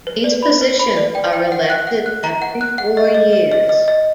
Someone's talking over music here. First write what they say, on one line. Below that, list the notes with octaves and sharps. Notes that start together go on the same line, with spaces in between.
These positions are elected every four years.
B4
D5
B5
B4
B5
D5
G5
G5
F#5
F#6
F#5
F#6
A#5
F#5
F#6
F#5
D#5
D#5
D#5
D#5
D#5
D#5